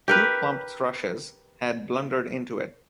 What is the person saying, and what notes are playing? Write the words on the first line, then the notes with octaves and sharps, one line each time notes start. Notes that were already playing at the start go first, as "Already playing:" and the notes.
Two plump thrushes had blundered into it.
G4 A#4 B4